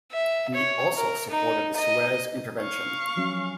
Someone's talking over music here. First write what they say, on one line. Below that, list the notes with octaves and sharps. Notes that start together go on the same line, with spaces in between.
He also supported the Suez intervention.
E5
C#5
A#4
D#4
D#5
F5 C#6
F3 F#3 C#4